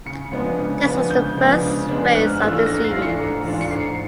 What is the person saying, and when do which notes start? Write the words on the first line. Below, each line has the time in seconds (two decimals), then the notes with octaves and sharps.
This was the first race of the series.
0.06 C#3 C#7
0.32 F3 G#3 B3 D4
0.59 C#3
0.85 F3 G#3 B3 D4
1.10 C#3 G6
1.37 F3 G#3 B3 D4
1.62 C#3
1.88 F3 G#3 B3 D4
2.14 G#2 F#6
2.27 F6
2.40 E3 A3 D4 F4 E6
2.54 F6
2.66 G#2 A#6
2.84 C7
2.93 E3 A3 D4 F4
3.02 C#7
3.19 G#2
3.44 E3 A3 D4 F4
3.61 C#7
3.71 G#2 C7